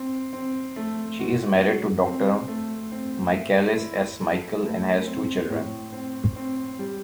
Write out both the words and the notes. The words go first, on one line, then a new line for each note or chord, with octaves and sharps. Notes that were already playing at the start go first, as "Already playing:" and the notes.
She is married to Doctor Michalis S. Michael, and has two children.
Already playing: C4
C4
A3
F#4
F#4
C4
A3
C4
E5
E4
A4
A3
C4
A2
C4
C4
G3